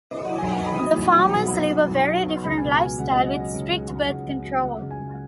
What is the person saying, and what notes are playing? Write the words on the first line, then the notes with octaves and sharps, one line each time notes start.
The farmers live a very different lifestyle, with strict birth control.
F#3 F#5
G#5
B1
F#5
B1 G#5
B5
F#3 D#6
B1
F#3
B2
B1
F#3
B1
F#3
B2
C#2 B5
G#5
B2
G#5
F#3
G#5
C#2 F#5
D#5
F#3
F#5
F#3 D#5
C#2
C#2
C#2
C#2
C#2
F#3
C#2 F#5
C#2
G#5
C#2